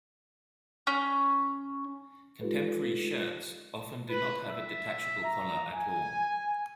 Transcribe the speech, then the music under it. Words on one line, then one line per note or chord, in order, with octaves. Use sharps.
Contemporary shirts often do not have a detachable collar at all.
C#4
G#3 D#4 F4 G4 A4 B4
B4
E5
A#5
G#5